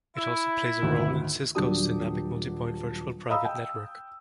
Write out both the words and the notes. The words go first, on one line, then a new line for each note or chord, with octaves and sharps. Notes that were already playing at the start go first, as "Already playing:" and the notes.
It also plays a role in Cisco's Dynamic Multipoint Virtual Private Network.
E4
G#1 D2 D#3
D#1 F#3 D4 G4 D#6
D#5 F5 A#5 B5 D#6 E6
G5